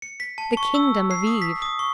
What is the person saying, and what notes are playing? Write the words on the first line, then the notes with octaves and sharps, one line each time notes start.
The kingdom of Eve.
C#7
B6
A5
C#6
E6
C7
D#6
B6
D#6
C#6